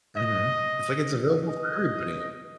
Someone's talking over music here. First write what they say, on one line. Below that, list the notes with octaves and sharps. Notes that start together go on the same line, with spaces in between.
Mhm. It's like it's available for everybody.
D#5
D#5